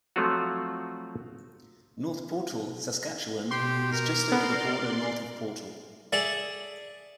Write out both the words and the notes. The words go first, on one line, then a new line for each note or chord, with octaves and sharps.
North Portal, Saskatchewan is just over the border north of Portal.
F3 F#3 A3 C4 F4 F#4
B2 G4 C6
A#4
B3 D5 C6
G#4 A4 D5 E5